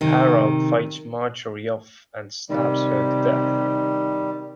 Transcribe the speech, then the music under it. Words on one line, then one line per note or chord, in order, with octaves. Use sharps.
Harold fights Marjorie off and stabs her to death.
C3 D#3
C3 D#3 G3